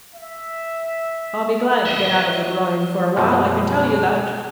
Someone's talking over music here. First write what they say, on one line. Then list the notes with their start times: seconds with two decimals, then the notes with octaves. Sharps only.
I'll be glad to get out of the grind for a while, I can tell you that.
0.15 E5
1.86 D#5 E5
3.15 F#2 B2 F3 G3 G#3